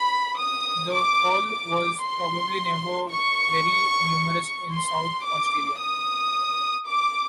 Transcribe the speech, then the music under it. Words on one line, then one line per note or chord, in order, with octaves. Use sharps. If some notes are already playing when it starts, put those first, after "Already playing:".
The quoll was probably never very numerous in South Australia.
Already playing: B5
D#6
D6
D6
C6
C#6
C6
D6
D#6
D6